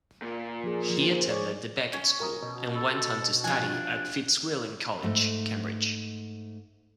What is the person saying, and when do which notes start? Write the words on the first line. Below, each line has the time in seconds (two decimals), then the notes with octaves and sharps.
He attended The Becket School and went on to study at Fitzwilliam College, Cambridge.
0.22 A#2
0.64 F3 G#4
0.90 F3
1.27 G#4 C#5 D5
1.93 C#4
2.20 A#4 A#5 D#6
2.42 B2
2.75 A4 B5
3.44 C3 F3 D4 F4 G#5
5.03 G#2 A3